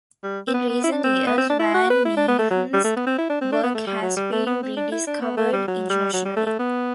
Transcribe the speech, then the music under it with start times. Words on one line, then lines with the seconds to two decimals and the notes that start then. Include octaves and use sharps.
In recent years Van Mieghem's work has been rediscovered internationally.
0.24 G3
0.47 C4
0.54 B3
0.69 B3
0.84 E4
0.92 D4
1.04 C4
1.27 B3
1.38 C4
1.50 D4
1.59 E4
1.74 F#4
1.90 B4
2.05 E4
2.17 D4
2.28 B3
2.39 A3
2.51 F#3
2.74 G3
2.84 A3
2.96 B3
3.07 C4
3.18 E4
3.30 D4
3.41 C4
3.52 D4
3.63 B3
3.75 A3
3.87 G3
4.02 F#3
4.17 G3
4.32 A3
4.46 B3
4.63 C4
4.77 D4
4.92 E4
5.07 D4
5.22 B3
5.37 A3
5.53 G3
5.68 F#3
5.90 G3
6.13 F#3
6.25 G3
6.36 A3
6.47 A3
6.59 B3